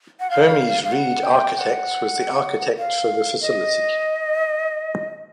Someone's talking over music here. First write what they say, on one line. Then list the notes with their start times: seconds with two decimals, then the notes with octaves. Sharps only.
Hermes Reed Architects was the architect for the facility.
0.20 F#5
0.30 F5
0.84 F5
0.92 F#5
1.24 G5
1.54 G5
1.59 F#5
2.78 F5
3.41 D#5